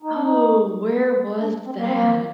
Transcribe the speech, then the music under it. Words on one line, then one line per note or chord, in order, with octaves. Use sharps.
Oh, where was that?
D#4
D4
D#4
D4
C4
A#3
C4
A#3